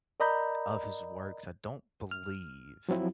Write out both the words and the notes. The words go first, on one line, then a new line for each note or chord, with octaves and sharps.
of his works, I don't believe.
A#4 D5 D#5 A#5 B5 G6
F6
F3 F#3 C4 E4